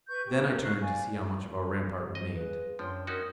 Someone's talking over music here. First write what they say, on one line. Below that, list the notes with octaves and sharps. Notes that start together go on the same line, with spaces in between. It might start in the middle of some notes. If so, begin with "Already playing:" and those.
Then I turned to see how much of our rampart remained.
B4 C#6 G6
G4
D4 A#4
C5 C#6 F#6
D5 F5 G#5
G2 F#4
G2 C5 D#5
F4 G#4 B4
F#2 F3 D4 C#5 G5 C6
C#4 D#4 F#4 A#4 D#6